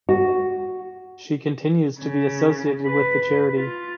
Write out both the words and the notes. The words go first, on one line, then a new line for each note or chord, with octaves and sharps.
She continues to be associated with the charity.
F#4
C#3
B4
F4